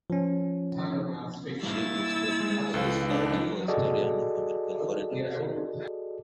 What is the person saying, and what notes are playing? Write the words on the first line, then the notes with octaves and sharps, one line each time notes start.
She is president of the Society for Historians of American Foreign Relations.
F3 C#4
G3 A#3 E4 F5 E6 A6
G#3
C#2 A4 B4 F5
D4 D#4 D5 D#5
F#4 G#4 A4 D5 D#5